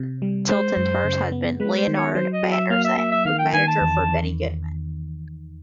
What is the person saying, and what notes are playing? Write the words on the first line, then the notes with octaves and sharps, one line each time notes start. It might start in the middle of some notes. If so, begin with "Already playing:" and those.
Tilton's first husband, Leonard Vannerson, was manager for Benny Goodman.
Already playing: C3
G3
G#3 C5
F#2
C#3
B3
G#3 B4
C5
D#3
C#5
F#3 C5
D#5
F#3
E5
A#3 F5
E5
A#3 E5
E5
D#3 F5
G5
D#3 G#5
A5
E2
E2